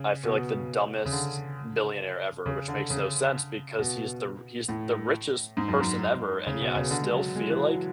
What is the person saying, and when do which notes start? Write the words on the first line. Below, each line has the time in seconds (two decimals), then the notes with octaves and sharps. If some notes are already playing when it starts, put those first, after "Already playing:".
I feel, like, the dumbest billionaire ever. Which makes no sense because he is the r he is the richest person ever, and yeah, I still feel, like,
Already playing: C#3
0.23 B2
1.05 C#3
1.12 D3
2.46 C#3
2.68 D3
2.90 C#3
3.79 B2
4.69 A2
5.57 G#2
5.68 F#2
5.80 G#2
6.46 C#3
6.61 B2
6.75 C#3
6.91 D3
7.02 G#3
7.13 F#3
7.35 G#3
7.50 E3
7.65 F#3